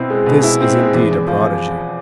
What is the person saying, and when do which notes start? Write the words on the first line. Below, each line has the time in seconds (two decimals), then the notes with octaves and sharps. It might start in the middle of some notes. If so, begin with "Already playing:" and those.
This is indeed a prodigy.
Already playing: B2 C4 E4
0.10 G#3
0.26 B2
0.43 E4
0.60 C4
0.78 G#3
0.94 E2
1.11 E2
1.27 F3